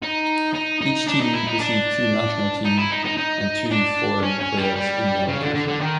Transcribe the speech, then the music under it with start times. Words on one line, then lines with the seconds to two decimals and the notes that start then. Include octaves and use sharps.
Each team received two national team and two foreign players in the allocation.
0.03 D#4
0.54 D#4
0.81 D#4
1.07 D4
1.20 D#4
1.34 E4
1.47 D#4
1.60 D4
2.65 D#4
2.78 E4
2.91 D#4
3.05 D#4
3.17 D#4
3.71 D4
4.23 C#4
4.40 C#4
4.57 G3
4.76 G3
5.28 C#3
5.41 D3
5.55 D3
5.68 D3
5.81 D#3